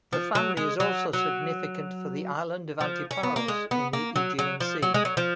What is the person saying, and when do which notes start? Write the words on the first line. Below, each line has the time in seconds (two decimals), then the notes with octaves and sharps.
The family is also significant for the island of Antiparos in the Aegean Sea.
0.13 F3
0.35 F#3
0.57 G#3
0.80 F#3
1.13 F#3
2.81 F3
3.11 C#4
3.23 B3
3.36 A#3
3.48 G#3
3.71 B3
3.93 A#3
4.16 F#3
4.39 F#3
4.60 F3
4.82 F#3
4.94 G#3
5.05 F#3
5.17 F3